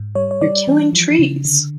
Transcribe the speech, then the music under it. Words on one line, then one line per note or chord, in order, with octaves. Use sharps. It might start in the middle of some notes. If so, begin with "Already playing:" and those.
You're killing trees!
Already playing: G#2
G3 C#5
C#5
G3 D5
E3
F3
C#3
D3